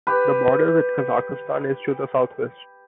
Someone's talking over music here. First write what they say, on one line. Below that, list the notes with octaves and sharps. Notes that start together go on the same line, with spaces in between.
The border with Kazakhstan is to the southwest.
G4 B4